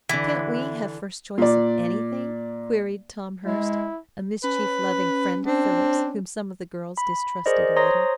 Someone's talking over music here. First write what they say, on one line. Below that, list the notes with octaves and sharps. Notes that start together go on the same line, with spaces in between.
"Can't we have first choice of anything?" queried Tom Hurst, a mischief loving friend of Philip's whom some of the girls distrusted a little.
D3 E3 E4
A#2 D5
G#3 E4
C#4 B4
C4 D4
B5
G#4 A#4 C5 D5 D#5
C5 C#5 A#5 C6 D#6 A#6